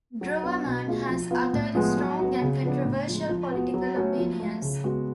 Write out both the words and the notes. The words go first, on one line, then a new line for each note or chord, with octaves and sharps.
Drewermann has uttered strong and controversial political opinions.
F#3
B3 D4
B2
A3 F4 G#4
F3
B3 F4
A2
F3 G#3 B3
F#3
B3 F#4
C#3
F3 B3 D4
A2
F3 G#3
F3
B3 F#4
F#3
A3 C#4 F#4
F3
A3 F4
C#3
G#3 B3 F#4